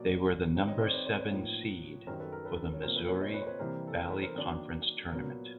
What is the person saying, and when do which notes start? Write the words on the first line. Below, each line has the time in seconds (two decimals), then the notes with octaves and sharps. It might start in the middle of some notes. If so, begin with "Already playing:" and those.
They were the number seven seed for the Missouri Valley Conference Tournament.
Already playing: B2 F#3 A#3 D5
0.55 D#3 G3 C4 D#4
0.68 C#5 D#5
0.81 C5 D5
0.93 B4 C#5
1.06 C5 D5
1.18 B4 C#5
1.31 A2 F3 A#3 D#4
2.07 F#2 D#3 G3 A#4 C5
2.20 A4 B4
2.32 A#4
2.45 A4 B4
2.73 C#5
2.83 C3 F3 A#3 A#4 C5
2.96 A4 B4
3.09 B4 C#5
3.21 C#5 D#5
3.28 C5
3.34 B4 C#5
3.42 C5
3.47 B4 C#5
3.59 C3 E3 G3 A#3 A#4 C5
3.87 A4
3.97 A#4
4.10 A4 B4
4.22 A#4 C5
4.35 D#3 F#3 A#3 D4
5.11 A#2 F#3 B3 A#4